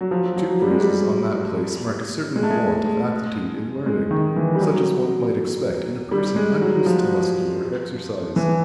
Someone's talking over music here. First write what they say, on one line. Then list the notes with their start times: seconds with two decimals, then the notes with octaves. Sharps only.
Two bruises on that place mark a certain want of aptitude in learning, such as one might expect in a person unused to muscular exercise.
0.01 F#3
0.11 F3
0.36 F#3
0.62 G3
0.71 G#3
0.80 G3
2.36 G#3
2.43 A3
2.50 G#3
3.86 G#3
4.11 D#3
4.36 E3
4.55 G3
4.61 F#3
6.11 G3
6.36 G#3
6.61 F#3
6.86 F3
8.36 E3